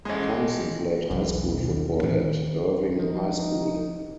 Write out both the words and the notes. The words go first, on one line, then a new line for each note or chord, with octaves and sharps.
Thompson played high school football at Irving High School.
A1 G#3
E1 B1
D#2
D2 A2 E3 C4
D#3
F3 D#4